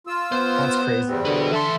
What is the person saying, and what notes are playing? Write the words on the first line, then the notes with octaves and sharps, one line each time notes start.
That's crazy.
F4 E6
B3 C5
E2 G3 C4
D3 F#4 B4
E3 A4 E5 C6